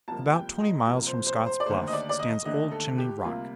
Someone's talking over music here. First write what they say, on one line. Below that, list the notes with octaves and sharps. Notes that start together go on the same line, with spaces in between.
About twenty miles from Scott's Bluff stands old Chimney Rock.
C2 C3 F3 A#3 A5
G5
D#5
C2 C3 F3 A#3
C5
C5
C5
D5
D#2 D3 A3 C5
D#5
D5
D5
D#5
D#2 D3 A3 D#5
A4
G4
D2 C3 G3 A#3 F4